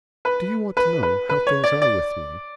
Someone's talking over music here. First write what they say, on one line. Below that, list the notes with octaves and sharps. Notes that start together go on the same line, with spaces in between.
"Do you want to know--how things are with me?"
B4
B4
B4
B4
C#5
D5
D5